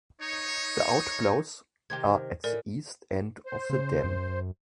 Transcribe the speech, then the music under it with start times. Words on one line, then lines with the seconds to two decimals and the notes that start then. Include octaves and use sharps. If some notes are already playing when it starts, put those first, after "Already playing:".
The outflows are at the east end of the dam.
0.22 D#4 C#5
1.90 C3 D#3 G4 G#6
2.44 A2 A#4 D5 G#5
3.46 C5
3.70 C#3
4.04 F#2